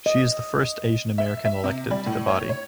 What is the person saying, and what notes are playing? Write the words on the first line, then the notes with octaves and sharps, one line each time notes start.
She is the first Asian American elected to the body.
D#5
E5
E5
C3
G3
A2
C#5
C#5